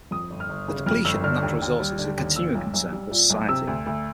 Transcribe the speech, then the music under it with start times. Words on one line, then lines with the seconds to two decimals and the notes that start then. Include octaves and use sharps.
The depletion of natural resources is a continuing concern for society.
0.11 F2 D#6
0.30 G1
0.40 F6
0.49 G1
0.68 C#3
0.86 F2 F6
1.05 G1 E6
1.24 D3 F6
1.43 D#2
1.62 D#2
1.80 G3
1.99 D3
2.18 D#2
2.36 A#2 E6
2.55 B1
2.74 B1
2.93 G3
3.11 A#2
3.30 B1
3.49 C3 E6
3.67 D2
3.86 D2